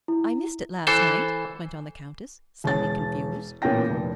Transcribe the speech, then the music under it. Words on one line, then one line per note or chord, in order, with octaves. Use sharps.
"I missed it last night," went on the Countess, slightly confused.
E4
E3 A4 C5
E1 C#4 A6
A1 A#2 B3 C#4 G5 A#6
F1